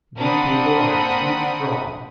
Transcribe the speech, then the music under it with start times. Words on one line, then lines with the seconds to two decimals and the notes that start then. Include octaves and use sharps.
These people are too strong.
0.17 A#3 C4 D4 F#5 B5 D#6